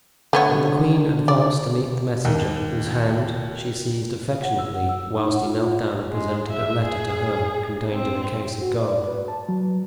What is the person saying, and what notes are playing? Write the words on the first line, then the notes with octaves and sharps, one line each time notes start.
And the queen advanced to meet the messenger, whose hand she seized affectionately, whilst he knelt down and presented a letter to her, contained in a case of gold.
D3 A3 B3 C#5
D5
D#2
F#5
E6
F#5
E6
D#4
F#5
F4
G#3
E5
G#4
C4
F#4
D5
B4
A5
F#3